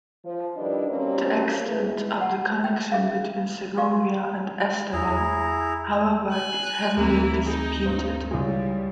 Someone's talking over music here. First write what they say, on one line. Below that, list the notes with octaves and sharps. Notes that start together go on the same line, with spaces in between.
The extent of the connection between Segovia and Esteban, however, is heavily disputed.
F3
D#3 G3 D4 E4 B4 D#5
B2 F#3 G3 A#3 C4 C#4
B2 E3 B3 G#4
F#5 A5
G5
C#4 D#4 G#4 E5 F5
G4 D5 F5
E2 E4 G#4 A#5
G#5 F#6
D2 E3 A3 A#3 C4 E4
D#4 G#4
G2 C5
C#2 E3 G3 G#3